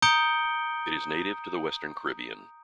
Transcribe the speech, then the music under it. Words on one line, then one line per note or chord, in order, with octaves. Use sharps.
It is native to the western Caribbean.
A#5 D#6 G6 C#7 D7 G7